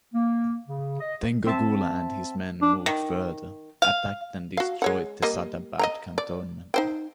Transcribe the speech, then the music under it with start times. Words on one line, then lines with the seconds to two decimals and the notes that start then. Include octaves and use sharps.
Then Gokula and his men moved further, attacked and destroyed the Sadabad cantonment.
0.14 A#3
0.68 C#3
1.00 D#5
1.47 C4 E5 A5
2.62 D4
2.86 D#3
3.82 F5
4.57 F#4 F5
4.82 G#3 C#5 F#5
5.22 G3 A#3 D#5
5.79 D#5 G5 A#5
6.18 D5
6.74 D#4 C5 G5